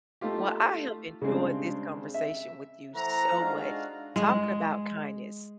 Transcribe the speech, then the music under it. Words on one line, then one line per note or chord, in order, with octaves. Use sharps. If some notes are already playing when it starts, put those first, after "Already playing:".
Well, I have enjoyed this conversation with you so much, talking about kindness.
A3 D#4 F4 G4
C#3 G3 G#3 C4 D4
E5
E3 A3 C5 F#5 A#5
G#3 D4 D#4 F4 F#4 F5
G#3